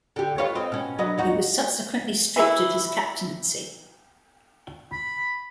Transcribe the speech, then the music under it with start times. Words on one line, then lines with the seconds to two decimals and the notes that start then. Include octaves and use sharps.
He was subsequently stripped of his captaincy.
0.16 D3 G4
0.38 F4 B4 C#5
0.55 C4 D#4
0.72 B2 C#4
0.99 F#3 B4 D#5
1.18 D#2 D#4 F#4
2.36 E3 E4
4.92 B5